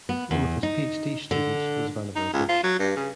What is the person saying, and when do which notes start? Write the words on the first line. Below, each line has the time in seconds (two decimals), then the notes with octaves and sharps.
One of his PhD students was Vannevar Bush.
0.09 B3
0.31 E2
0.63 D#4
1.31 D3
2.16 D#4
2.33 C#2
2.49 F4
2.64 F#3
2.80 G2
2.96 C#3